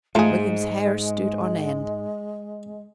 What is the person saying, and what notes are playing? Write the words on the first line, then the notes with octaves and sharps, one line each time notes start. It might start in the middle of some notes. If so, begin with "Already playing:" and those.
William's hair stood on end.
G#2 G#3 A3 F4 G#4 A#5